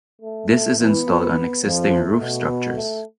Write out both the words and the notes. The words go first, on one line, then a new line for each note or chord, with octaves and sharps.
This is installed on existing roof structures.
A3
A3
E3 B3 E4
F3 F4
F2 F3
A3
B2
B3
A3